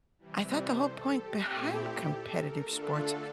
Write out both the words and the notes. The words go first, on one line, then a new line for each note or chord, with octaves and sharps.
I thought the whole point behind competitive sports
C3 E3 G3
C5
A4
G4
A#2 A3 C4 E4
A4
A#4
D3 A3 D4 F4 A4